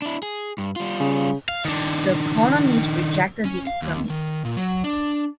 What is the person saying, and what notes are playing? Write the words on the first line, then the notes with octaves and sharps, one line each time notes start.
The Colonies rejected this premise.
D4 E4
G#4
G2
G3 F4
C#3
F5
D#3 D4
C#4
F5
D#2
D#3
A#2
F#3
D4